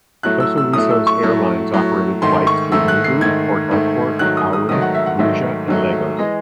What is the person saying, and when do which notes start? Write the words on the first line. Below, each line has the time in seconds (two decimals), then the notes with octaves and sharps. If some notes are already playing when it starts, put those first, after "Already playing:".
Sosoliso Airlines operated flights to Enugu, Port Harcourt, Owerri, Abuja and Lagos.
0.23 A2 F#3 A3 F#6
0.40 E6
0.58 E6
0.73 A2 F#3 A3 D#6
0.91 E6
1.07 C#6
1.23 A2 F#3 A3
1.72 A2 F#3 A3
2.22 G#2 D#3 A3 C6
2.47 C#6
2.72 G#2 D#3 A3 E6
2.88 F#6
3.04 C7
3.21 G#2 D#3 A3 G#6
3.71 G#2 D#3 A3
4.19 G#2 D#3 F#3 A3 F#6
4.37 D#6
4.53 D#6
4.69 G#2 D#3 F#3 A3 D#6
4.82 F#5
4.94 E5
5.06 F#5
5.19 G#2 D#3 F#3 A3 E5
5.68 G#2 D#3 F#3 A3
6.19 E3 G#3 D#5